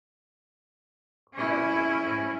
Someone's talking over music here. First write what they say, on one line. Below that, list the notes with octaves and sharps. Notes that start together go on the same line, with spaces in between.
productive and
C#4 E4